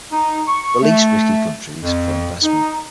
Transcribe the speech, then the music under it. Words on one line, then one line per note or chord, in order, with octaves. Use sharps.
The least-risky countries for investment.
D#4
C#6
A3
F2
D#4